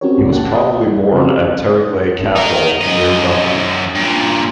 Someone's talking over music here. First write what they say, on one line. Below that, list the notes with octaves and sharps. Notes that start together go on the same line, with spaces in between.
He was probably born at Terregles Castle, near Dumfries.
C4 C#4 F#4 G4 A#4 C#5
C2 A2 C#3 A#3 D5
F#5 G5 A5
G4 E5 D#6
G3
C#3 C4 C#4 F#4 G4
D#4 A#4
F#2 D#5
G2 A#2